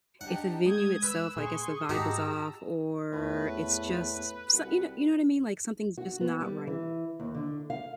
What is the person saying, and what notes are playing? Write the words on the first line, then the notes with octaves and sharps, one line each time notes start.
if the venue itself, I guess, the vibe is off or it's just s ya know ya know what I mean? Like, something's just not right.
D4 D#4 G4 F#5
G#3 D#6 G6 G#6
B4 E6
A#2 G#4 G#5 C6 C#6
G#2 D#4 F#4 G4 A5 A#5 E6
E2 A2 B4
C2 F#4
F#4
B3
G3
E3
D#2
D3
F5